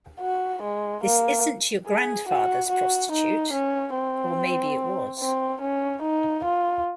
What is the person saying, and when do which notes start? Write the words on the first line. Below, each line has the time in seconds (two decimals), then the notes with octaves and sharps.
This isn't your grandfather's prostitute - or maybe it was.
0.20 F#4
0.62 G#3
1.04 A#3
1.87 G#4
2.29 F#4
2.70 F#4
3.11 D#4
3.53 C#4
3.95 C4
5.20 C4
5.61 C#4
6.02 D#4
6.44 F4